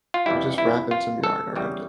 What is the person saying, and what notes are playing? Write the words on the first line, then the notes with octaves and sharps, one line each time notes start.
you're just wrapping some yarn around it,
F4
F2 E3 G3 E4
E4
F4
A4
E2 C#3 G3